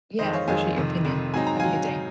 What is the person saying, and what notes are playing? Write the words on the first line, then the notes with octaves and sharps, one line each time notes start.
Yeah, I appreciate your opinion. Have a good day
F2 D#3 G#3 C5 D#5
C#5 F5
F2 D#3 G#3 F5 G#5
F2 C3 D#3
F2 C3 D#3
G#2 F#3 C4 D#4 G#5
A#5
F#3 F5 G#5